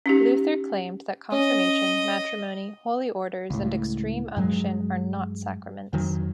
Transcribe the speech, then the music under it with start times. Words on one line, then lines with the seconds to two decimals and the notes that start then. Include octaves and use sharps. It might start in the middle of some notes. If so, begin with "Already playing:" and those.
Luther claimed that Confirmation, Matrimony, Holy Orders, and Extreme Unction are not sacraments.
0.06 C#4 D#4 G4
1.32 C#4 D#5
3.50 C#2 A2
4.37 G2 F#3 G#3
5.93 F2 D#3 F#3